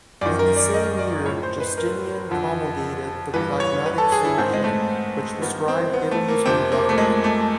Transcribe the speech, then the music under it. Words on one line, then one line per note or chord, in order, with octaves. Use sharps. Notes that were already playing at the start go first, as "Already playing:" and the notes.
In the same year, Justinian promulgated the Pragmatic Sanction which prescribed Italy's new government.
F#2 D#3 D5
A#4
D5
D#5
D5
A2 F3 C#5
C5
B4
A#4
F2 D3 F3
G2 E3 B4
C#5
B4
A4
G#4
E4
G#2 D#3 C4
G#3
A3
G2 D#3 B3
C4
B3
A3
A#3
F2 C3 F3 C4
A#3
A3
G#3
A3